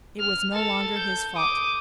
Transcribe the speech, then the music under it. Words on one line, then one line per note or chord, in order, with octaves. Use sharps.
It was no longer his fault.
F6
A4 A6
G6
D6 D#6